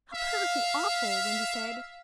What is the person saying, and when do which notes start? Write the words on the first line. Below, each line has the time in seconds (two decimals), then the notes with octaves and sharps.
"How perfectly awful," Wendy said.
0.14 E5 F5